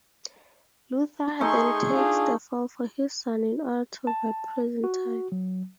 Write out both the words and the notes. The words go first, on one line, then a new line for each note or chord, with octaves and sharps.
Luther then takes the fall for his son in order to avoid prison time.
A3 D#4 G#4 C6 C#6
D4 F4
A5
F#4
F#3